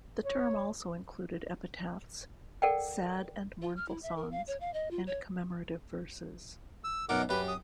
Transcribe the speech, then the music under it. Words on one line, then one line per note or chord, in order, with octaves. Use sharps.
The term also included epitaphs, sad and mournful songs, and commemorative verses.
C#5
A4 A#4 D5 F#5 G5
F4
F6
E4
E5
A#4
F5
C#5
F5
D#5
F4
C#5
E6
F#2 B2 D#4 A#4 F#5 D6
F#2 G4 B4
D#6